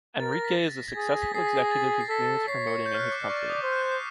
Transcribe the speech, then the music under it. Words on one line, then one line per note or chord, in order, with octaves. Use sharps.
Enrique is a successful executive whose dream is promoting in his company.
A#4 A6
A#6
B6
G#6
G#4 A6
A#6
B6
G#4 C7
B6
A#6
A6
C7
A4 B6
C#5 C7
C#7
G6
F6
F#6
D6
D5
C#6
D6
D#6
C5 F6
F#6
G6
C7